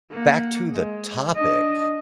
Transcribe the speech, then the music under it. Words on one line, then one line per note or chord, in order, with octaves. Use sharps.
back to the topic.
A#3 F#5
G#3
D4 D#5